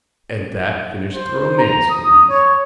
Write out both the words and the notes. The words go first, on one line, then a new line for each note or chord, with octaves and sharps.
"And that finished the romance, Louise."
C5
A#5
D#6
C#5